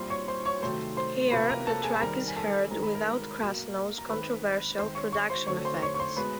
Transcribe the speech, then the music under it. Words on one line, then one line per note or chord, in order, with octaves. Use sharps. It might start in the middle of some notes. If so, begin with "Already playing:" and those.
Here, the track is heard without Krasnow's controversial production effects.
Already playing: A#2 G3 C4 C5 C6
C#5 C#6
C5 C6
C#5 C#6
C3 D#3 F#3 A3 C4 C5 C6
C5 C6
C3 F3 A#3 B4 B5
A#4 A#5
A4 A5
G#4 G#5
B5
D#3 G3 C4 A#4 A#5
G#5
A4 A5
D#3 G#3 C4 A#5
B5
A#4 A#5
B2 F#3 A#3
A#5
D#3 G#3 C4 B4 B5
D#3 G#3 C4 C5 C6
C#5 C#6
C#5 C#6
C5 C6
D3 F#3 A3 C4 C#5 C#6
C5 C6
C#5 C#6
C#6
C5 C6
B2 G#3 B3 B4 B5